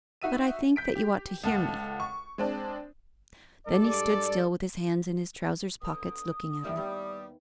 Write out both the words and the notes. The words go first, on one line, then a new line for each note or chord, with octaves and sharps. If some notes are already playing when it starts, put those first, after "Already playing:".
"But I think that you ought to hear me." Then he stood still with his hands in his trowsers pockets looking at her.
D#4 F#4 E5 D#7
G6 B6 D7
G4
C#2 A4 F#5
C#6
G#3 C4 D4
G2 G3 G#3 A4 D5
D3 B3 D#6
A#2 F3 G3 D4 E4
D#2 G3 B3